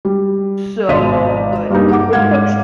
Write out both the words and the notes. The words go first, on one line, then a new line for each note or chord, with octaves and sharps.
so good. It took
G3
G#1 B2 D5 D#5 B6 D#7
G2 G3 A#3 D#4
G#4 F#5 D6
G#2 F5 F#5 G#6